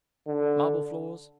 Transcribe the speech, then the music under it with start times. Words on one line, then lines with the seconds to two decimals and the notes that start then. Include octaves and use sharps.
Marble floors.
0.27 D3